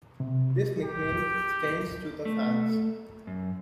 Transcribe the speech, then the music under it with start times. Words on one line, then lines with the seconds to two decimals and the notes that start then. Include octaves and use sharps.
This nickname extends to the fans.
0.20 C3
0.84 G4
2.25 A3
3.27 F#2